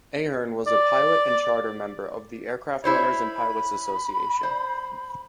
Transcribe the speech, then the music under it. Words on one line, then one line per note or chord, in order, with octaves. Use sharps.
Aherne was a pilot and charter member of the Aircraft Owners and Pilots Association.
D5
E4 C5 C#5 B5
C5